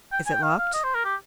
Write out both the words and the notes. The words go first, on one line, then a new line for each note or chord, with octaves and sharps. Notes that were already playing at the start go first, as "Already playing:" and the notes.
"Is it locked?"
G5
G#5
G5
F5
F5
D#5
C5
A#4
G4